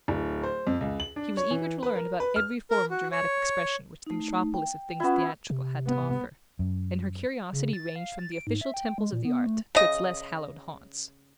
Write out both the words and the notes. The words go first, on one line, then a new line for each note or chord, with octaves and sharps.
She was eager to learn about every form of dramatic expression which the metropolis of things theatrical had to offer, and her curiosity ranged from the official temples of the art to its less hallowed haunts.
D1
C5
F2
C#2
F#7
D4
C#5
E3
B4
A#4
B4
F6
A#4
F#4
C#5
A3 D#4
G5
B3 C#4 E4 F4
C3
B3
F#2
C#3
A6
F5
A6
D7
G#2
E5
G5
G#3
A#2
B3
A3
C#3 D#5